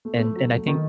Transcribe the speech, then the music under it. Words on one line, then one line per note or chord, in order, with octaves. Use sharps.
And and, I think
A3
A3
F#3
A3
D#3